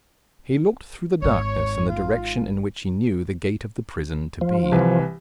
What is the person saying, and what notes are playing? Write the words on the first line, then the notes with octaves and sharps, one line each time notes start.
He looked through the darkness in the direction in which he knew the gate of the prison to be.
G#1 G#2 C#5
F4
F3
C2 E3